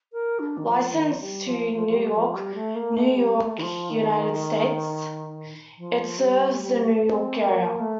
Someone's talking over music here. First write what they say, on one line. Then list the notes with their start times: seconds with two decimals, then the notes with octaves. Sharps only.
Licensed to New York, New York, United States, it serves the New York area.
0.13 A#4
0.39 D4
0.58 D#3
0.66 F3
0.93 D#3
1.11 F3
1.20 G3
1.47 F3
1.74 F3
1.88 F3
1.95 G3
2.15 F3
2.35 G3
2.55 A3
2.75 A#3
2.96 A3
3.16 G3
3.36 A3
3.58 D#3
3.62 F3
3.90 D#3
5.78 F3
6.18 G3
6.59 G3
6.85 A3
7.13 C4
7.40 A#3
7.80 A3